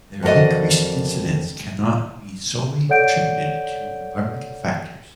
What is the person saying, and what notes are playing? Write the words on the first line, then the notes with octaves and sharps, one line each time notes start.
Their increased incidence cannot be solely attributed to environmental factors.
F2 A#3 F#4 A4 D5 D#5
A4 C#5 D5 F#5 G6 D7